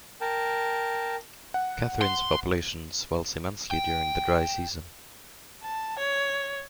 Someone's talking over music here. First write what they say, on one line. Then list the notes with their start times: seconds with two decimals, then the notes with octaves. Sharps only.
Katherine's population swells immensely during the Dry Season.
0.21 A#4 G5 A5
1.54 F#5
2.01 C6
3.71 G5
5.63 A5
5.99 C#5